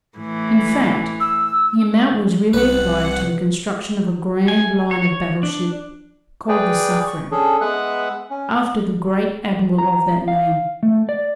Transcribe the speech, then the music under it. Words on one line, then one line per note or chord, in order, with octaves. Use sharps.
In fact, the amount was really applied to the construction of a grand line-of-battle ship called the Suffren, after the great Admiral of that name.
A2 E3
E6
C2 B4 F#5
G#5
C#5
D4
G#4 B4 D5 G5
C#6
C#4 D4 G#4 A4
G#3 B3 B4 E5 F#5 F#6
C#4
A#5
F5
A3
D5